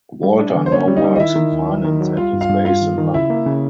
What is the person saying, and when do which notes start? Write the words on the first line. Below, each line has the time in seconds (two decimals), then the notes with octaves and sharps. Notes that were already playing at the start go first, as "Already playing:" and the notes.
Walter now works in finance and is based in London.
0.23 G3
0.39 D4
0.55 D3
0.66 C5
0.72 A#3 C#4 C#5
0.88 G3
0.96 D#4 D#5
1.04 G3
1.16 D#5
1.20 D#3 E4 E5
1.36 D#3
1.52 D#2
1.68 F#3
1.85 D#3
2.01 F#3
2.17 G3 F4 F5
2.33 G2
2.41 F4 F5
2.49 G2
2.65 G2 F4 F5
2.81 D#3
2.98 D#3
3.14 C#3 E4 E5
3.30 A#3
3.46 C#3